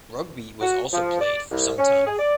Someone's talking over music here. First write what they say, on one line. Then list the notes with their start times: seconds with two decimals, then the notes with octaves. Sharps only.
Rugby was also played for some time.
0.61 F#4
0.93 F3
1.21 D5
1.51 C2
1.78 C#4
2.06 G#4
2.19 D5